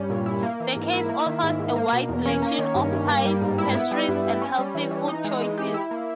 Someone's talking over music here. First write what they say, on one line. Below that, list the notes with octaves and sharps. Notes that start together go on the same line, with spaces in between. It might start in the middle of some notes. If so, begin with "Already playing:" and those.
The cafe offers a wide selection of pies, pastries and healthy food choices.
Already playing: G2 G3 C#4
A#2
E4
A#3
E3
G#2
E4
A#3
D#3
G#2
G#2
A#3
B2
E2
C#4
A#3
D#3
G2
G2
A#3
G3
G#2
E4
B3
G3
G2
G2
C#4
G3
E3
E3
D#4
G#3
E3
G4
E4
A#3